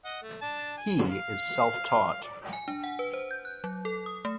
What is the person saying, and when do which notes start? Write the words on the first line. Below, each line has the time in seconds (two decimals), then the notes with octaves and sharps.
He is self-taught.
0.05 D#5 F#5
0.22 A3
0.42 D4 A5
0.78 G#5
1.10 F5
2.24 D5
2.53 G#5
2.68 D4
2.84 F#5
2.99 B4
3.13 C5
3.31 G6
3.45 F#6
3.64 F#3
3.85 A4
4.06 D#6
4.25 A3